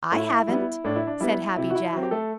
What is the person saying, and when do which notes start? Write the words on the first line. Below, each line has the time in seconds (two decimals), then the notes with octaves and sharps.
"I haven't," said Happy Jack.
0.12 A2 E4
0.48 G3 E4
0.54 B3
0.84 A2 D4
0.96 E4
1.07 D4
1.20 G3 B3 E4
1.57 C3 E4
1.70 F#4
1.75 E4
1.93 F#3 C4
2.03 G4
2.11 A3 A4